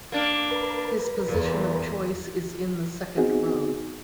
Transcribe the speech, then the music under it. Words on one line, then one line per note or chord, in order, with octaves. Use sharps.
His position of choice is in the second row.
A#3 D4
A#4 B4
E2 A#2
B3 C4 D#4 F#4 G#4